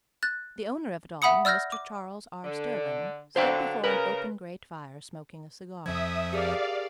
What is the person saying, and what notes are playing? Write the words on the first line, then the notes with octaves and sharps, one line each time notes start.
The owner of it all, Mr. Charles R. Sterling, stood before an open grate fire smoking a cigar.
F#6 A6
E5 F#5 B5 D#6 C#7
D5 E6 F6 G6 A#6
D6
D3
D3 F#3 C5 F5 G5
C#3 A#4 B4
F2 F3 E5 D#6 G#6
G4 G#4 A#4 D5 F5